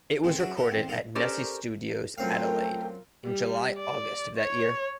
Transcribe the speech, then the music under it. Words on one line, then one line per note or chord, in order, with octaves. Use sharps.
It was recorded at Nesci Studios, Adelaide, in July-August of that year.
A1 D#2 G#3 C4 A4
C#3 F#3 F#4 G#4 E5 D6
A4 A#4 E5 F#5 A#5
A1 C4
B1 A2 D#3 A4 F5 A#5
C#4 G4 A4 A#4 C5 D5
F#2 A3 C4 F4 A#4 F5 G5
G3
D5
C#5